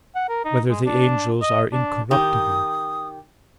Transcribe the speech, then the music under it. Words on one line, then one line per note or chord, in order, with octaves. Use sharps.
Whether the Angels Are Incorruptible?
F#5
A#4
D#4
G#3
D4
D#5
D4
D#3 G4 D#6